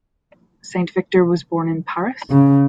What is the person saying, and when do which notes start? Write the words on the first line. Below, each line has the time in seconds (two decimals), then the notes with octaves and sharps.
Saint-Victor was born in Paris.
2.30 C#3